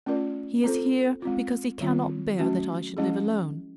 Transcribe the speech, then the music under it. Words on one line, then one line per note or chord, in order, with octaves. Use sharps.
He is here because he cannot bear that I should live alone.
A3 C#4 F4 A#4 D5
C4 F4 A4 C5
G#3 C4 F4
D#3 G3 C4 F4
F#3 A3 C#4 F#4
F3 G#3 C#4 E4 G#4